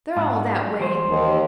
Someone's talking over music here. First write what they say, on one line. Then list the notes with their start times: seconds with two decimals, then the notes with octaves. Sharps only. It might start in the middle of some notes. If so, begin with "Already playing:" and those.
They're all that way.
0.17 G#2 D4 F#5
0.80 E2 C5
1.09 D#2